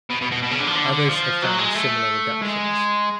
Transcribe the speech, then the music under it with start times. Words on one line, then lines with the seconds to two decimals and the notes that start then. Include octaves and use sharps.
Others have found similar reductions.
0.10 B2
0.21 B2
0.32 B2
0.43 B2
0.52 C#3
0.59 D3
0.68 F3
0.76 D3
0.93 D3
1.10 F3
1.42 F#3
1.59 G#3
1.76 A3
2.42 G#3